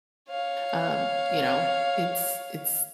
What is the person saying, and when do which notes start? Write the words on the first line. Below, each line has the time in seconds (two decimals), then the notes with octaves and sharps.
um, you know, it's it's
0.30 C#5 F5